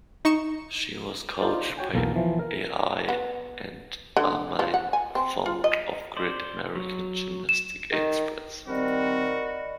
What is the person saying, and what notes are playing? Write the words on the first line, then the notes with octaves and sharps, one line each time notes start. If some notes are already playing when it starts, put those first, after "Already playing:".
She was coached by Al and Armine Fong of Great American Gymnastic Express.
D#4 C#6 C#7 E7
D#4 F4 C5 D5
F#4 C#5 G5 G#5
B1 E2 A#3 A#4
E3 F3
A#4
B3
D3
F3
F#5
G#5
C4
F4
D#5
C5 D5
F#3
E7
D#3
D#3 G3 C4 F#4 A#4 D5 D#5 B5